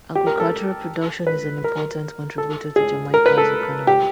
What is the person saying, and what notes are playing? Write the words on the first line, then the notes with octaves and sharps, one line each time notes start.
Agricultural production is an important contributor to Jamaica's economy.
G4
A#4
A4
B4
A#4
A4
G#4
A#4
B4
A4
G4